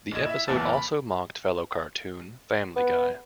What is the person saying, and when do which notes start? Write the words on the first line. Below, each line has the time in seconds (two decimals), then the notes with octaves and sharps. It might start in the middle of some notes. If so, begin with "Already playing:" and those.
The episode also mocked fellow cartoon "Family Guy".
0.12 A#1 D#5 G#6 E7
0.26 E4 E5
0.48 F#1 E2 B3 E4 A5 A6
0.73 B5
2.76 B3